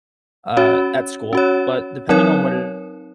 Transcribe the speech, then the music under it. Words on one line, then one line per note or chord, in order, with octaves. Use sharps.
uh, at school. But depending on what it
C#4 F#4 C#5
C#4 F#4 C#5
F#3 C4 D#4 A#4 C#5